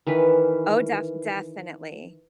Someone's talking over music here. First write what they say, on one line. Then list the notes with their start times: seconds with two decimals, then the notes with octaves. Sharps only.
Oh, def definitely.
0.07 D#3 E3 C#4 B4